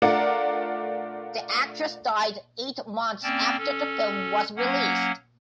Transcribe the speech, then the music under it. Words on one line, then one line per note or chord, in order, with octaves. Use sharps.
The actress died eight months after the film was released.
A3 D4 F4 A#4 D5 F#5
A#3 C4 C#4 D5 G5 A5
C#4 A4
F#3 A#3 C#4 F#5